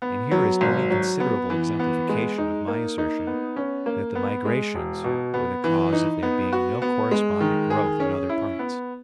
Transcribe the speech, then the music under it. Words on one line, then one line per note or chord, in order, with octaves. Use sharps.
And here is no inconsiderable exemplification of my assertion that the migrations were the cause of there being no correspondent growth in other parts.
B3
F#3
G#1
F#3
B3
E3
B3
G#3
D#4
A#3
D#4
B3
C#4
A#3
B3
G#3
E1
B2
B3
E3
D#4
B3
F#4
B3
G#3
D#3
G#4
C#4
E4
B3